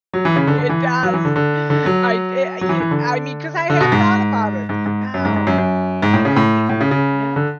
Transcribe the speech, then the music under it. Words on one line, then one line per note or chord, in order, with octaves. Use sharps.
It does. I y y I mean, 'cause I have thought about it, like, "Oh, what can I do?" You know?
F#3
E3
C#3
D3
D3
E3
F#3
E3
D3
D3
D3
F#3
F#3
E3
E3
D3
D3
B2
G#2
G#2
G#2
F#2
G#2
G#2
F#2
F#2
G#2
A2
C#3
A2
A2
C#3
C#3
D3